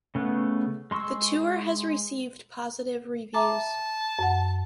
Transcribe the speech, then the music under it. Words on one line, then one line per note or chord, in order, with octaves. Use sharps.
The tour has received positive reviews.
C#3 A3 B3
G#3 C6 C#6 E6
E5 A5 A#5 D6
F#2 F#5